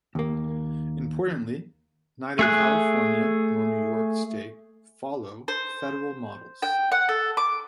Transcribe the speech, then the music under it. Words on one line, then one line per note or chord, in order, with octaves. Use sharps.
Importantly, neither California nor New York state follow federal models.
D#2 A#3
A3 G#4 F#6
C5
G5
F#5
A4
D6